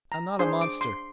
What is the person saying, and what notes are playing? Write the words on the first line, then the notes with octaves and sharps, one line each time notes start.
I am not a monster.
A#5
D4 G#4 C5 C6
D6
C6